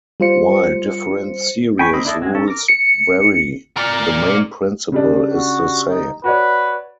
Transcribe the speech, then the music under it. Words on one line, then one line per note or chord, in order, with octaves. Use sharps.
While different series rules vary, the main principle is the same.
G3 F4 C5 C#7
G5 G#5 B5 C#6
A#3 C4 D#5 B5
D4 E4 A4 D#5
F#3 G#3
C#4 A4
A#4 D6
C#7
A#4 D5
C#3 G3 D4
F#4
D#4
F#4 B4 C#5 D5